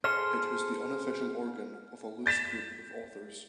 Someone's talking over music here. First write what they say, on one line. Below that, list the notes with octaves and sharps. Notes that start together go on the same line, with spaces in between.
It was the unofficial organ of a loose group of authors.
G#4 A4 C5 F6
G6 A6 B6 E7